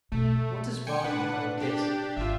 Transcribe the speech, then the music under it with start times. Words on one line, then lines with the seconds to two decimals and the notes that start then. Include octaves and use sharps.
What does Vardon know of this?
0.12 B2 A3
0.87 G5 G#5 C#7
1.04 D4 B4 F#5
1.58 D4 G4
2.17 G#1 F4 E5